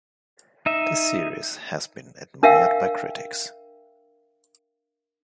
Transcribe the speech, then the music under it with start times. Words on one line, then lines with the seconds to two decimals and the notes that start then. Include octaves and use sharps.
The series has been admired by critics.
0.66 D#4 E5
2.43 D4 A#4 E5 F5 G5 E6